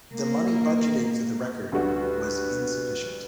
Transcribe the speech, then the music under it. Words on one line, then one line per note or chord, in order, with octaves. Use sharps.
The money budgeted for the record was insufficient.
A#3 A#4
D2 G3 F#4 B4